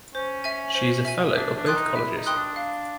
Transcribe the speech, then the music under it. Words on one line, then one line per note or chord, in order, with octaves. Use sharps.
She is a Fellow of both colleges.
C#4 C5
E5 G#5
C5
E5 G#5
D4 E5
D4
G5 C6 D#6 F#6
D#4
E4 E5
D#4
G5 C6 D#6 F#6
D4
F5